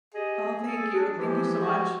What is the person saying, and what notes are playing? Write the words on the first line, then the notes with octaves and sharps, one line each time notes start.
Oh, thank you, thank you so much.
G4 G#4 D#5
A4
D4
E3 F3 G#3 G4
F#4